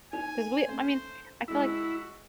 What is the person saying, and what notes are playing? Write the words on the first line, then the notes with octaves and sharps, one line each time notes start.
'Cause we I mean I feel, like,
D#4 G#5
A3 C#4 C5
G#3 E4 F#4 D#5